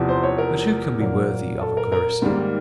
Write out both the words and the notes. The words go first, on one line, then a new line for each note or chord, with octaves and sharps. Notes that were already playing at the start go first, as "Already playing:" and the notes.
But who can be worthy of a Clarissa?
Already playing: E2 C3 F3
C5
C#5
A#4
A#2 F#3 A#3
A4
A#4
A#4
G#2 D#3 G3 A#3